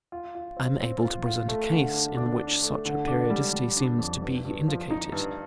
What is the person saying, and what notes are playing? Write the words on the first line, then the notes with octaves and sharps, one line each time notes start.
I am able to present a case in which such a periodicity seems to be indicated.
F4
F4
C4
C4
F4
F4
A3
D3
D4
D4
D4
A3
D3
D4
G3
G3
D4
F2
G2
G2
F3
D#4
G2